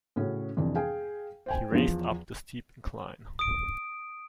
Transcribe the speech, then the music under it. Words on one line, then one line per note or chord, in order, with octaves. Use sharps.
He raced up the steep incline.
A2 C#3 C#4 F#4
F2 C3 E3 D4
G#4 F5 G5 G#5
C5 G5 G#5
E2 F3
D#6 D7